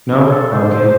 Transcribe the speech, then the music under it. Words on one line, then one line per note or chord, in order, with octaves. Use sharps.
No? Okay.
G#4
A4
C5
C5